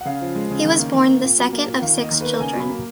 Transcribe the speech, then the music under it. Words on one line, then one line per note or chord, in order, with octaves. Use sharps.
He was born the second of six children.
F#5
C#3 F5
F3
G#3
C#3
D#3
A#3
D#3
A#3
A#2
F#3
A#3
A#2
D#3 F5
A#3 D#5
D#3
A#3 B4
A#5
C#3 G#5
F#3 B5
A#3